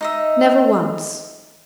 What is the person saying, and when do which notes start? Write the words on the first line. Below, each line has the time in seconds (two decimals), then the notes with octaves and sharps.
Never once!
0.01 D#4 D#5 E5